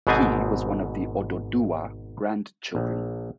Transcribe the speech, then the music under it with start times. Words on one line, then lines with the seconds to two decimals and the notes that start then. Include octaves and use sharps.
He was one of the Oduduwa grand children.
0.07 G#1 G#2 B2 B3 C4 G#5
2.75 A#1